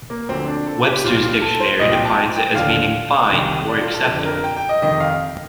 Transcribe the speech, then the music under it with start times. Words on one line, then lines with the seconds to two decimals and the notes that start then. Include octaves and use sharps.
Webster's Dictionary defines it as meaning "fine" or "acceptable".
0.10 A#3
0.29 D2 D3 F3 C4
0.47 D4
0.67 A4
0.85 G4
1.04 C2 A#2 F3 F4
1.23 F4
1.41 A4
1.60 C5
1.79 C2 A#2 F3 D#5
1.92 G5
2.05 A5
2.36 G5
2.55 D#2 D3 F3 F5
3.31 C2 C3 D#3
3.69 D5
3.81 F4
3.94 A4
4.06 F2 D3 F3
4.25 A#4
4.44 G5
4.57 G5
4.69 D#5
4.82 F2 C3 D#3 D#5
5.00 F5